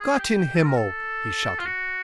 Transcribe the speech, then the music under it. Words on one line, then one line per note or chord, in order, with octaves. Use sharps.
"Gott in Himmel!" he shouted.
G#4
G4
G4
A4
A#4
A4
F4
F#4